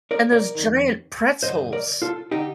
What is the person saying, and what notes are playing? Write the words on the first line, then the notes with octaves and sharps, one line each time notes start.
And those giant pretzels.
A#4 D5
A#4 D5
F2 D#3
G2 D3 C5 D#5
A#4 D5
F4 A4
D3 D#4 G4